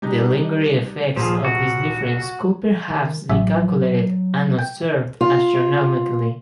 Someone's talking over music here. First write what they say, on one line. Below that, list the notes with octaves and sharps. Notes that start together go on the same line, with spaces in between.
The lingering effects of this difference could perhaps be calculated and observed astronomically.
G3 D4 D#4
D#1 A#1 F3 G#4
F#4
D#3
A1 F#3 E5
G5
F4